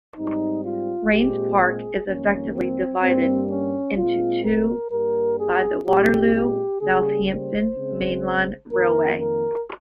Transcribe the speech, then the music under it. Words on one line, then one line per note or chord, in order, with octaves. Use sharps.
Raynes Park is effectively divided into two by the Waterloo - Southampton mainline railway.
G#2 G3 C4 D#4
F4
A#2 G#3 C4 G4
G#4
F2 D#3 G3 A#3 C#4
C4
G2 G3 A#3 C4
C#4
A#2 G#3 C4 F4
A#4
G2 G3 A#3 A#4
G#4
A#2 G#3 C4 G4
G4
C#3 G3 A#3 G#4
C5
C#3 G#3 C4
F2 D#3 A#3 A#4
A#4